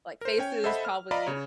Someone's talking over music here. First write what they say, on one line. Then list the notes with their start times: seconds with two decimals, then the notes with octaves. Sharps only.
like faces probably
0.21 A#4 C5
0.38 C#4 C#5 G5
0.64 A4 C5 D#5 E5 F#5 B5
0.85 F6
1.11 D5 D#5 F5 A#5 B5
1.27 C#3 C#5